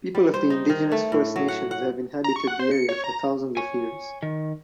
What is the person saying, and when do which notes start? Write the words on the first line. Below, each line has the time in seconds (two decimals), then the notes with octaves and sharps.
People of the indigenous First Nations have inhabited the area for thousands of years.
0.15 G3
0.34 C5
0.50 D#4
0.70 D#3
0.92 A3
1.12 A2
1.36 F#3
1.48 F#5
1.71 F#5
2.24 A#5
2.36 C#6
2.47 F#5
2.59 C5
2.71 C#7
2.89 C#5
3.04 A#5
3.57 C#5 G#5
4.22 D#3